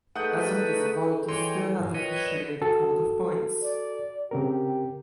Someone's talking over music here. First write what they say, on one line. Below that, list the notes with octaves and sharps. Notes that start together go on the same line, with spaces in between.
As of this vault is still not officially in the code of points.
A3 D#4 G#4 A4 B4 F#5 D#6 G6
E3 C#5 D#5 G5 C6
G2 A#2
F4 A#4 B4 C#5 D#5 G5
D5 E7
F#4 A4
D5
C#3 C4 G4 A#4